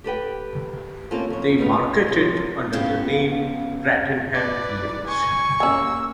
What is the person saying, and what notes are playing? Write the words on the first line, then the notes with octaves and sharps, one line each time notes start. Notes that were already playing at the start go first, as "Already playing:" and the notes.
They market it under the name Bradenham Village.
G4 A4 B4 G5
A#3 C4 C#4 E4 F4 A4
F2 C#5
D#4 F4 B4 C5 F5
C3 F3 F#3
C#3 F3 B3 F#4 G4
B4 D5
G#5 C#6
A#3 C#4 G#5 E6